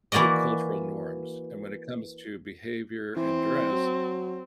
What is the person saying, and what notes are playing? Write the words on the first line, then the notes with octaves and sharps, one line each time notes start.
the cultural norms, and when it comes to behavior and dress,
E3 A#3 F#4 D5 D#5
E3 C4
F#3